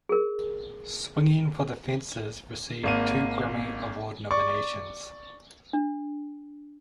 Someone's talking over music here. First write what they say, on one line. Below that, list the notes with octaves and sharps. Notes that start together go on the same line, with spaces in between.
"Swingin' for the Fences" received two Grammy Award nominations.
G#4 A#4
G#1 A#3 D#7
D5 C#6
D4